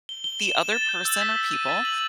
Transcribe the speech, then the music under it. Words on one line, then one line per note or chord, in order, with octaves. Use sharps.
the other person, or people,
G7
G7
E7
G7
A6
G6
E6
B6
B6
D#7
A6
F#7